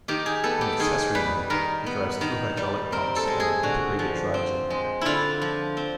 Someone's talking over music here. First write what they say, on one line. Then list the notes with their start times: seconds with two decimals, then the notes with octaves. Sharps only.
In accessory mode, it drives two hydraulic pumps and an integrated drive generator.
0.08 D#3 G4
0.26 G#4
0.44 B3 A4
0.61 G4
0.79 D#3 G#4
1.15 G3 B4
1.50 D#3 A#4
1.86 B3
2.21 D#3
2.57 G3
2.92 C4 A#4
3.16 A4
3.27 G#3
3.40 G#4
3.63 D3 F#4
3.99 F3
4.34 C4
4.70 G#3
5.01 D3 E4 F4
5.41 F3
5.77 C4